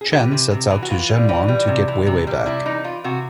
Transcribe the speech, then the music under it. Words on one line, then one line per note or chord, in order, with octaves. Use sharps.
Chen sets out to Zhenyuan to get Weiwei back.
G#4
E3 G4
C3
C3
E3
F#4
E3 F4
G3
E3
G3
C3
E3
C3
G3
C3 E4
E3 D#4
E3 F4
C3 F#4